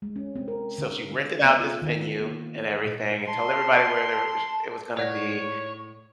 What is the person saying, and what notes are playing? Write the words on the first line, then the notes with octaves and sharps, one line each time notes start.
So, she rented out this venue and everything and told everybody where there were sh it was gonna be,
G#3
C#4
C4
A#4
D3
B3
F4
D#3
A#3
A#2
A5 C6
A2 C#5 D5 F#5 A#6